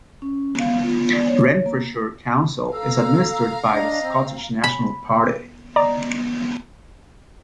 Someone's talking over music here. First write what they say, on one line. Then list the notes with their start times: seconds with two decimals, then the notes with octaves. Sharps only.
Renfrewshire Council is administered by the Scottish National Party.
0.22 C#4
0.59 F5
0.84 F4
1.13 D5
1.27 C#5
1.66 A#3
2.73 A4 F5 A#5 E6
3.71 D4 D#5
4.03 C4
4.64 B5
5.76 D5 D#5 A#5 D6